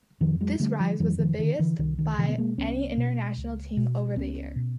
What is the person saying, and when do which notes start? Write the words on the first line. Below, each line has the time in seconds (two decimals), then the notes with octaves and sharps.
This rise was the biggest by any international team over the year.
0.20 F2 D#3 F3
0.41 F#3 G#3
0.60 D3 G3 A3
0.80 F3 G3
1.00 F2 E3 F#3
1.19 D#3 F3
1.39 D3 D#3
1.59 D3 E3
1.79 C2 D#3
1.98 D#3
2.18 B2 D3 E3
2.29 B3
2.38 G#3 A#3
2.58 C2 B3 C#4
2.97 B2
3.37 C#2
3.77 B2
4.16 C#2 B3 C#4
4.56 B2